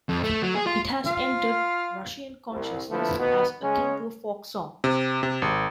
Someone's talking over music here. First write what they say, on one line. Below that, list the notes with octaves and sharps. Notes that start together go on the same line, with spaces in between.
It has entered Russian consciousness as akin to a folk song.
F2
A3
F#3
G#4
F4
F4 F5
C2
D3 F3 A3 B3 E4
B2 D#3 B3
C#3 G#3 C#4
C3
C3
G#1